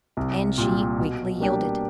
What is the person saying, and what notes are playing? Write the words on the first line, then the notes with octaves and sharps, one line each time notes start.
And she weakly yielded.
C2
A#2 G3
B2
G3 A#3 D4 G4